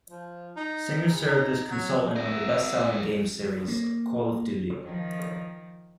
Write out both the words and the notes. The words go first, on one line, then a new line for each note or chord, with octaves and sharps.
Singer served as consultant on the bestselling game series "Call of Duty".
F3
D#4
E2
D#4
F#3
C4 A#4 E5
A#3
D#3 F3